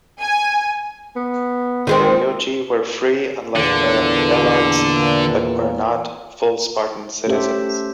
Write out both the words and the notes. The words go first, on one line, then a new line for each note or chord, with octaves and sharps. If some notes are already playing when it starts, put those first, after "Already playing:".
The perioeci were free, unlike the helots, but were not full Spartan citizens.
G#5
B3
D#3 G#3 C4
E2 A#2 D3
A3 C#4 G4 A4 C5 E5